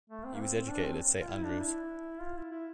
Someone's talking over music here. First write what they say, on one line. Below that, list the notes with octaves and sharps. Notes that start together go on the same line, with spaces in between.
He was educated at Saint Andrews.
A3
C4
A#3
C4
C4
D4
C4
F4
E4
D4
E4
F4
E4
E4